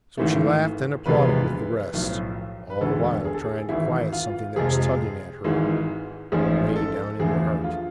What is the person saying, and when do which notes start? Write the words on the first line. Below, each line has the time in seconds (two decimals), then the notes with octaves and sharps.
So she laughed and applauded with the rest, all the while trying to quiet something that was tugging at her away down in her heart.
0.18 G#1 G#2 E3 A3
1.05 E1 D2 C3 F3 G#3 B4
1.93 B1 A2 F3
2.70 B4
2.81 E1 D2 D3 G#3 A4
3.25 G#4
3.34 A4
3.44 G#4
3.69 G#1 G#2 E3 E4
4.13 F4
4.56 F2 C3 F3 G#3 G#4
5.44 G#1 G#2 E3 G#3
6.32 A1 G#2 F3 A3 G#4
6.76 A4
7.19 E2 D3 F3 A3 G#4
7.64 F4